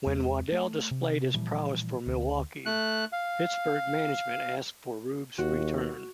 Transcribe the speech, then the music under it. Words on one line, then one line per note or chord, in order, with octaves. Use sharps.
When Waddell displayed his prowess for Milwaukee, Pittsburgh management asked for Rube's return.
E2 G#3 C4
A3
C3
A#2 E3 F3 G3
D2
A3 F#6
F5
D#2 F#4